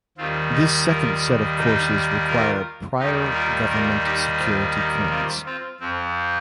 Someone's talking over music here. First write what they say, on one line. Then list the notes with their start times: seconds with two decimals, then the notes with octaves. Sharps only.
This second set of courses require prior government security clearance.
0.17 D#2 D#3 G3 C4 F4
0.52 D#4 G4
0.88 F4 A#4
1.58 D#4 G4
2.29 F4 A#4
2.99 D#2 D#3 G3 D#4 G4
3.34 F4 A#4
3.69 F4 A#4
4.05 D#4 G4
4.40 C4 F4
4.75 D#4 G4
5.10 C4 F4
5.46 C4 F4
5.80 F2 F3 C4